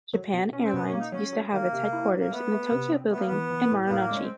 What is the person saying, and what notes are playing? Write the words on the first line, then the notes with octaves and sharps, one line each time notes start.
Japan Airlines used to have its headquarters in the Tokyo Building in Marunouchi.
F#3
B2
C#4
C4
B2 B3
C#4
A#3
D#4
F#3 C#4
F#3
D#3 A#3
C3
E4
F#3
A#3
A3 B3
A3
C3
C4
A3 B3
A#3
B3
E3
E3
A2
B3
A2 A#3
D4
G#3 C#4
C4